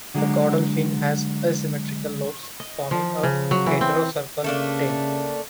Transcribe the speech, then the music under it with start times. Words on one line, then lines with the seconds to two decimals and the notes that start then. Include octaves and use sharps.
The caudal fin has asymmetrical lobes, forming a heterocercal tail.
0.14 D3 F#3 G#3
2.60 D#5
2.91 F3
3.23 C#3
3.51 F#3
3.67 E3
3.81 C4
4.44 C#3 A3 A#3 D4